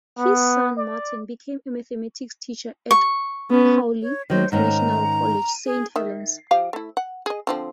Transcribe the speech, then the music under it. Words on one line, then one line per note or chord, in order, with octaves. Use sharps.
His son, Martin, became a mathematics teacher at Cowley International College, Saint Helens.
B3
D5
C#6
B3 C#4
C#5
D#3 F#3 C5
G#2 D#3 C#4 A#5
G#4
D#3 E5
F3 G4 F5
A3 E4
F#5
G#4 D#5
D3 F3 C4